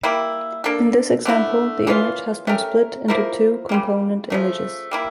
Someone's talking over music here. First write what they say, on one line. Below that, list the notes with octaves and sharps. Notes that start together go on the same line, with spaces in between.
In this example, the image has been split into two component images.
G3 A#3 E4
A#3 D4 A4
D3 A3 C#4 E4
E3 A#3 C#4 F4
A3 C#4 G4 A#4
F3 A#3 E4 A#4
C#3 G3 A#3
C#3 F3 A3
G3 A#3 E4